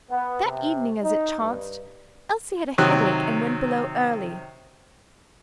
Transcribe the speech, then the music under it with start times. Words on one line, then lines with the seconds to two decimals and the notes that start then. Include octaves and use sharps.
That evening, as it chanced, Elsie had a headache and went below early.
0.10 B3
0.45 C3
1.04 D#4
1.40 G2
2.78 C3 D#3 F#3 F#6